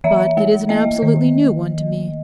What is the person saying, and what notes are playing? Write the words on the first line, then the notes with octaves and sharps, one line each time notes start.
'But it is an absolutely new one to me.
E3 E5
A3
A#3 D#5
D#3